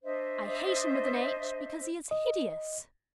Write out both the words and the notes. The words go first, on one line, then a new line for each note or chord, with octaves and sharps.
I hate him with an H, because he is Hideous.
D4 C5 D#5 E5
D#5